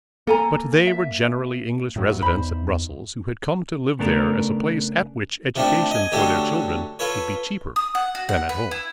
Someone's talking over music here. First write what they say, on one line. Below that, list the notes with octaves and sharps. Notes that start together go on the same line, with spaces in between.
But they were generally English residents at Brussels, who had come to live there as a place at which education for their children would be cheaper than at home.
A#3 A4 G#5 A#5
E5
A2 F#3
E2 D#4 C5 B5
C#3 A3 B3 D4 A4 A#4
C3 F3 G3 A3 D4
D#5 G#5
D3 F#3 G3 A3 C#4 A4
F4 A4 B4 C#5
D#6
F#5
F#4
F#5
B4
E4